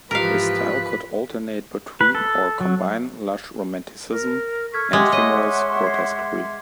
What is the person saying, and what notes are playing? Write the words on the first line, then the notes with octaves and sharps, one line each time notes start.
His style could alternate between, or combine, lush romanticism and humorous grotesquery.
G#2 E3 F3 F4 G4 A#4 B4 F5
B4
A4
F#3
A#4
A4 C#6 F6 G#6 B6
G#3 G4 E5 F#5 C6 D6
C#5 D#5
G#6 C7